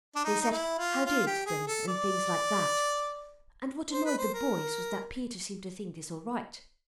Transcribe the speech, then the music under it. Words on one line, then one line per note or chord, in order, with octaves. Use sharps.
They said 'How-do?' to them, and things like that; and what annoyed the boys was that Peter seemed to think this all right.
D4
D#4
D#4
E4
F4
F4
G4
G#4
A4
D5
C5
B4
C5
A#4